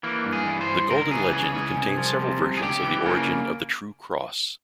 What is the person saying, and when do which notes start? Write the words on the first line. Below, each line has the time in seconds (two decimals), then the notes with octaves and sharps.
"The Golden Legend" contains several versions of the origin of the True Cross.
0.03 E3 A#3
0.25 G2
0.32 G#4
0.46 E3
0.61 C5
0.68 G2
0.90 C#2 A#4
1.11 E3 G#4
1.33 C#3 G#4
1.54 C#2 G#4
1.76 C2
1.97 F3
2.19 C3
2.41 C2
2.57 G#4
2.62 C#2 G4
2.84 E3
3.05 C#3 A#3